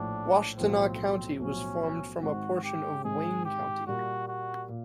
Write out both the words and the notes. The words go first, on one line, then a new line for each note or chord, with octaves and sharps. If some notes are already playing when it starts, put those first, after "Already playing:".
Washtenaw County was formed from a portion of Wayne County.
Already playing: A#1 A2 F3 D4
B1 A2 F3 C4
B1 A2 F3 C#4
G#2 D#3 G#3 C4 F#4
G4
G#2 D#3 G#3 C4 G#4
G4
A#2 G3 A#3 F#4
F#4
A#2